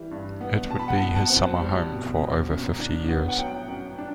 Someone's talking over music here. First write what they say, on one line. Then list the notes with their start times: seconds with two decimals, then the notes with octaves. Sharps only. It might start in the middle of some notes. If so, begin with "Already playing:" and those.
It would be his summer home for over fifty years.
Already playing: E3 G3
0.11 G2
0.41 B3
0.70 B2 A5
0.79 B5
0.88 F#5 A5
1.00 B2
1.15 F#5 A5
1.30 C4
1.60 G3
1.90 B2
2.20 B2
2.49 F#2
2.79 D4
3.08 B3
3.28 F#5
3.38 F#3 G5
3.68 F#2
3.98 D4